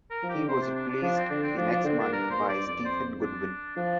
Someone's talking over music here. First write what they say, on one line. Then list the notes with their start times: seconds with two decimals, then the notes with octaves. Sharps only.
He was replaced the next month by Stephen Goodwin.
0.11 A#4
0.23 F3
0.30 G4
0.36 D3
0.48 C3 C5
0.62 D4
0.75 D4
0.89 D4
1.02 F3 D4
1.17 C4
1.30 D3 D4
1.43 C4
1.57 F3 D4
1.70 F3 D4
1.84 D3 C4
1.98 A#2 D4
2.12 G2 A#4
2.30 A#2 C5
2.49 G2 D5
2.66 F2 D5
2.85 C5
3.21 D4
3.76 F3 D4